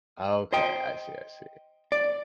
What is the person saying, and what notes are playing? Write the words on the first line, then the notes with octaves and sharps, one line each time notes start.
Okay. I see, I see.
C5 D#5 G5
D5